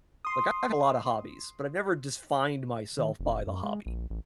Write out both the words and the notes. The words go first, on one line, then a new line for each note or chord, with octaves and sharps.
Like, I have a lot of hobbies, but I've never defined myself by the hobby.
C6 D#6
D#3
F1
F#2
G#3
A#1
A1